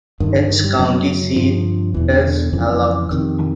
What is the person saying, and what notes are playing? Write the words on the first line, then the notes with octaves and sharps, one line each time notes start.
Its county seat is Hallock.
G2 D3 D#3
D3
D#3
G3
F#2 C#3 F#3
G2 D3 F3
E2 B2 E3
D3
D3
F2 C#3 E3
F3
E3
F2 C3 D#3